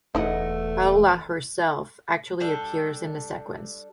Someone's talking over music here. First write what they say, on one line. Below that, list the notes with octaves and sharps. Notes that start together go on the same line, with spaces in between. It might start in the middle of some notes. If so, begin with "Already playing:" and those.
Paula herself actually appears in the sequence.
E1 E2 A3 D#4 E4 D#5 F#5
G3 D4 A4